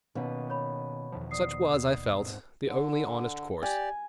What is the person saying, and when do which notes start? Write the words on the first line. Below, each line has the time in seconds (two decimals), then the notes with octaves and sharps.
Such was, I felt, the only honest course.
0.15 B2 D#3 A#3 C#4 B4
0.50 C#5 B5
1.12 E2 D#3 F3
1.31 D5 D#6 C7
1.73 D#2
2.18 D#1 G#2 C4
2.68 D3
3.63 G4 D5 G#5